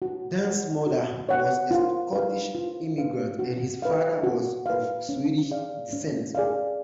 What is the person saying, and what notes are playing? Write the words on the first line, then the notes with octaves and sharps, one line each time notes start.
Dan's mother was a Scottish immigrant, and his father was of Swedish descent.
F#4
C#5 F#5
F#4
C#5 F#5
F4
B4 F5
F4
B4 F5
F#4
B4 F5
F#4
B4 F5
C#4
G#4 D5 F5
C#4
G#4 D5 F5